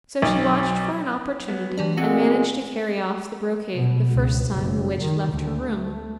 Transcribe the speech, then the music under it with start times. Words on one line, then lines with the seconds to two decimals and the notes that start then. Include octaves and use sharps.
So she watched for an opportunity and managed to carry off the brocade the first time the witch left her room.
0.22 B1 F#3
1.48 F#3 B3
1.78 G2 E3 G4 D5
1.97 A#2 G#3 C4 F#4 G4 F#5 C#7
3.75 B2
4.11 C#2
4.52 F#1
5.01 D#3
5.31 D2
5.71 A3